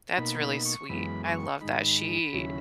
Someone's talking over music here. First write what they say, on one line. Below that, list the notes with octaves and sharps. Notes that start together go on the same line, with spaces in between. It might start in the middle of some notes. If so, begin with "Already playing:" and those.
That's really sweet. I love that. She
B2 A#3 D#4 B5
B5
C#6
F#2 E3 G#3 B3 B5
C#6
G#2 D#3 G#3 D#4 B5
D#2 C#3 F#3 C#4 E4